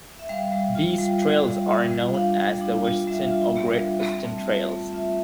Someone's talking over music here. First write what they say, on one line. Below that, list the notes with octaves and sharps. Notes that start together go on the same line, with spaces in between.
These trails are known as the Western or Great Western trails.
E5
G3 F5
G3
F4
G3
G3
G3
F4
G3
D4 F5
G3
D4
F4
G3 E5
F4
D4
G3
C4
A3
F4
A3
F4 E5